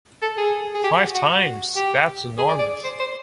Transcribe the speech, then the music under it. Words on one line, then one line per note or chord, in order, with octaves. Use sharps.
Five times? That’s enormous!
A4
G#4
G#4
G4
F#4
F#4
G4
G#4
D5
D5
C5
C5